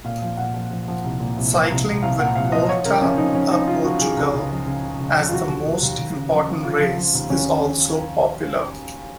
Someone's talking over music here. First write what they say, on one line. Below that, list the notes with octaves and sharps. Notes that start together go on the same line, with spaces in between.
Cycling, with "Volta a Portugal" as the most important race, is also popular.
A#2 F5
F3
A#2 F#5
F3
F3
F3
C2
A#2
C2
F3
C2
C2
C2 F5
A#2 F#5
C2 F5
F3 D#5
F3 C#5
C#3 A#4
F3 C#4
F3 D#4
F3 C#4
F3 D#4
C#3 F4
F3 F#4
F3 G#4
C#2
C#2
F3
C#3
C#3
C#2
F3
F4
D#2 F#4
D#2
D#2
D#2
D#2
C#3
F3
F3
C#3 F4
F3
F3
D#2
D#2 C#4